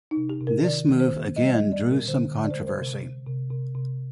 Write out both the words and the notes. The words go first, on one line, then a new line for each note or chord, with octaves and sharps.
This move again drew some controversy.
D#4
C3
G4
C3
A#4
D#3 D5
D#3
C5
A#3
G3 D#5
D#5
G3
D5
A#2
A#4
D3 C5
D3
D5
C5
G#3 A#4
C5
C3
C3
C3
C3
C3